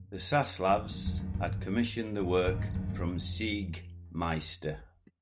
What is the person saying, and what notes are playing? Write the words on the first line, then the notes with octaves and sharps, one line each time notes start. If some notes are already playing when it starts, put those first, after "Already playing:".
The Saslavs had commissioned the work from Siegmeister.
Already playing: F#2
F2
F#2
F#2
F2
F#2
G#2
F2
F#2
G#2
F#2
F#2
F2